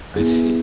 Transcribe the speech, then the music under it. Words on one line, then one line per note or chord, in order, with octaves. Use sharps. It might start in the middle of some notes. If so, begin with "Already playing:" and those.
I see
B3 E4 G#4